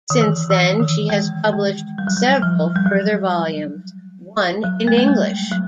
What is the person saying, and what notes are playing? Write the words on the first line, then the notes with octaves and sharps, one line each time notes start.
Since then she has published several further volumes, one in English.
D#3
E3
E3
D#3
G#3
G#3
G3
F#3
G3
F3
G3
F#3
F#3
A3
G#3
G3
F#3